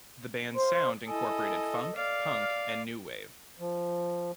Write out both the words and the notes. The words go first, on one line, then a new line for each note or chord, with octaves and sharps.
The band's sound incorporated funk, punk, and new wave.
F4 C5 C6
E4 A4 D#5 G#5
D5 F5 F6
F3